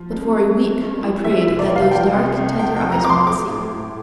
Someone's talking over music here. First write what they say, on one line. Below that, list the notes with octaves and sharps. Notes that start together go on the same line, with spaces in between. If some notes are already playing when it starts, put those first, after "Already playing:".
But for a week I prayed that those dark tender eyes might see.
Already playing: F3
F2
F2
A3
G2
E4
E3 E5
E5
F1
D5
F1
F5
F3 G5
C2
C2
A3 G5
G5
C2
A#5
C4 C6 D6
A3 D6
A2
A2